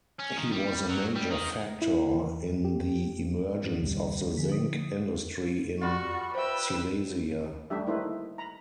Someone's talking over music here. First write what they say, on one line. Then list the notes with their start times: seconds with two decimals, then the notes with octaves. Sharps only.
He was a major factor in the emergence of the zinc industry in Silesia.
0.19 C#4
0.37 D#3
0.52 G3
0.89 F#3
1.16 G3
1.31 D#3
1.82 E4
2.15 E2
2.65 G4
3.63 G#2 E3 F3
3.81 C#2 A2 D#3 G3
4.37 D3 F3 G#4 B6
4.52 D#6
5.81 G3 F4 F#4 C#6
6.35 B4 C5 E5 G5 E6
7.70 G3 A3 D4 G4 E5
7.87 A3 A#3 D#4 E4 B4 C5
8.38 A#5 B5